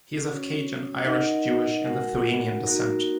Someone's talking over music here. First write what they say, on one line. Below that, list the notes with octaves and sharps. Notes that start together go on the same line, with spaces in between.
He is of Cajun, Irish, Jewish, and Lithuanian descent.
C#4 F#4 C#5
D#4 A#4 D#5 F#5
G#3 F#4 A#4 F#5
A#3 D#4 F#4 A#4